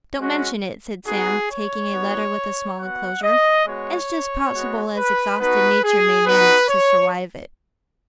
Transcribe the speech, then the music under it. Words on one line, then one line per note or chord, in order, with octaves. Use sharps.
'Don't mention it,' said Sam, taking a letter with a small enclosure. 'It's just possible as exhausted natur' may manage to surwive it.'
G#3 C#4 F#4
B3 D#4 F#4 G#4
C#5
B3 D#4 F#4
B3 F#4 F#5
D#5
G#3 B3 F#4 C#5
G#3 B3 F#4
B4
B3 D#4 F#4 B4
G#4
B3 D#4 F#4 B4
C#5